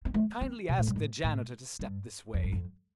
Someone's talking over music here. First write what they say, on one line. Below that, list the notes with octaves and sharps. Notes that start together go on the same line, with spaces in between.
"Kindly ask the janitor to step this way."
C4
A3
C4
C3
A2
G2
A2
A2
G2
F2
G2
F2